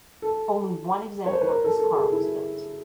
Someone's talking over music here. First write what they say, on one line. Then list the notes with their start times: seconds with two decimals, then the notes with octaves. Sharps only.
Only one example of this car was built.
0.22 A4
1.26 C#5
1.33 C5
1.41 B4
1.48 A#4
1.64 A4
1.80 A4
1.95 G#4
2.12 E4